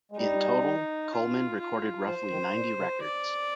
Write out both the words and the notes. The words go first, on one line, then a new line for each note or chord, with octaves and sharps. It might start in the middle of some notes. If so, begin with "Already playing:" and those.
In total, Coleman recorded roughly ninety records.
G#3
G3 D#4
F4
F4
F3 C5
D#3
A#2
C3
D5